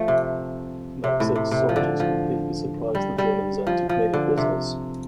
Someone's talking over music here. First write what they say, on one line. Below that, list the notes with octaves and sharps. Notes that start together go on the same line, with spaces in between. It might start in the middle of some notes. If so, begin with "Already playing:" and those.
Maczek's soldiers completely surprised the Germans and took many prisoners.
Already playing: F3 A3
C3
C3
A2
C3
C3
F3
D3
F3
G3
G3
F3
F3
D3
C3